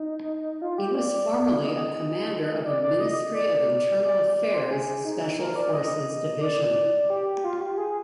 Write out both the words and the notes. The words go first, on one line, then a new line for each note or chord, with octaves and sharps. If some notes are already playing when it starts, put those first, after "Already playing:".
He was formerly a commander of a Ministry of Internal Affairs Special Forces division.
Already playing: D#4
F4
G4
D5
D#5
D5
D5
D#5
D5
D5
D5
C5
G#4
D#4
A#4
D5
D#5
D5
G4
F4
G4
G#4